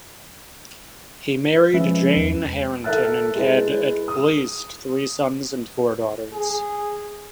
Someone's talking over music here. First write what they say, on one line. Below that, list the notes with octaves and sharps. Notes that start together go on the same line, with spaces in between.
He married Jane Harrington and had at least three sons and four daughters.
F3 G#3 C#4 B4 E5
E2
A4 A#4 E5 F#6 A6
G#3 E4 B4
D#6
G#4